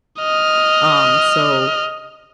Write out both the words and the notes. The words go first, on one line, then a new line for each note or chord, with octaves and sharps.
um, so
D#5 F6